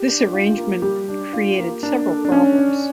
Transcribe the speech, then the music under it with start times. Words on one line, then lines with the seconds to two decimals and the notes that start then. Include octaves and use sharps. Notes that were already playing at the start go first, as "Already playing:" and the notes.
This arrangement created several problems.
Already playing: G4
0.08 D4
0.33 F4
0.57 A#3
0.82 G3 G4
1.08 D4
1.33 F4
1.58 A#3
1.83 A#3 D4
2.07 A4
2.25 D4
2.32 C#4 C#5
2.57 D4